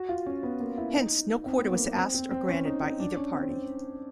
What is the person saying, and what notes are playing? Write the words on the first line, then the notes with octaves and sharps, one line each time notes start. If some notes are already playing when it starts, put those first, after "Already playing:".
Hence no quarter was asked or granted by either party.
Already playing: F#4
F4
C#4
B3
A#3
E4
D#4
C4
B3
A#3
B3
C4
C4
C4
C#4
D#4
D#4
D4
C#4
C4
C4